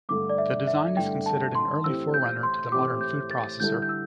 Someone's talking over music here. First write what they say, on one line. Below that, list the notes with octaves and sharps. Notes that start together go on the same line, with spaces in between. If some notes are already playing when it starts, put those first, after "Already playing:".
The design is considered an early forerunner to the modern food processor.
G2 D3 A3 D6
D5
E5
E5
G2 D3 A3 G5
A5
C6
A2 E3 C4 G4 E6
G6
C6
A2 E3 C4 G4 D6
G6
A6
D3 G3 E4 A4 G6
G6
E6